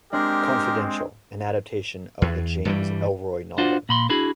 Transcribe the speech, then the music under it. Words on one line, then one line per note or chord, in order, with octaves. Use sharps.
Confidential, an adaptation of the James Ellroy novel.
G#3 C4 D4 G4 A#4
E2
G2 E3 G3
D4 F4 F#4 C5
A#2 B5 C6
D4 E4 F#4 G#4 B5